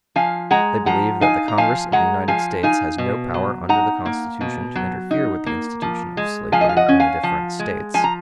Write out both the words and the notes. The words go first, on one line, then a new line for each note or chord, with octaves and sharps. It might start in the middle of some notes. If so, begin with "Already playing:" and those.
They believe that the Congress of the United States has no power under the Constitution to interfere with the institution of slavery in the different States.
F3 F5 G#5
G#3 F#5 A#5
F3 F#5 A#5
D#4 F5 G#5
A#5
F3 F5 G#5
G#3 F#5 A#5
F3 F5 G#5
D#4 F5 G#5
B2
F#3
D#4 F#5 A#5
A#3
B2
F#3
D#4
A#3
F3
G#3
F3 F5 G#5
D#5
F5
D#5 F#5
C#4
F5 G#5
F3
G#3
F3 G#5
A#5